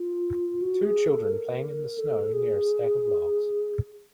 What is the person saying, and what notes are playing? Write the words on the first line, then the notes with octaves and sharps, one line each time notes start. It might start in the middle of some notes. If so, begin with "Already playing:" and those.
Two children playing in the snow near a stack of logs.
Already playing: F4
F#4
G#4
A4
A#4
A4
G#4